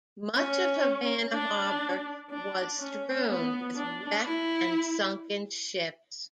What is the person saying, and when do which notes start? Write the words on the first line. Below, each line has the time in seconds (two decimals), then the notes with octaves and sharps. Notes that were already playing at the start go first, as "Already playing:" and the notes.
Much of Havana harbor was strewn with wrecked and sunken ships.
0.36 C#4
1.33 D4
2.30 D4
2.79 C#4
3.28 B3
3.76 D4
4.25 E4